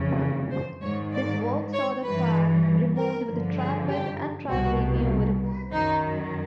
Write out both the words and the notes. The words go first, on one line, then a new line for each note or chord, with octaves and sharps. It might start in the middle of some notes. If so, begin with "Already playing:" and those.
This work saw the track removed, with the track bed and track renewed.
Already playing: F2 C#3 E3
C5
G#2 D#3 C#5
D5
C#5
G2 E3 B4
A#4
G2 D3 F3
G#4
G4
C2 B2 F#4
F#2 D#3 D#4